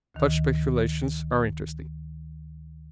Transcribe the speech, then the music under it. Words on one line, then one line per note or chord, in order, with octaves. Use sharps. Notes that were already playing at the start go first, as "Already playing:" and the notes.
Such speculations are interesting.
D2 D#3